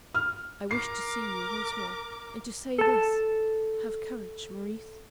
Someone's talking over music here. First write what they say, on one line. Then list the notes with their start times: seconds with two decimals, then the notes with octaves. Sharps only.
I wished to see you once more, and to say this: Have courage, Maurice.
0.15 F6
0.71 A#4 D6 C7
2.78 A4 A5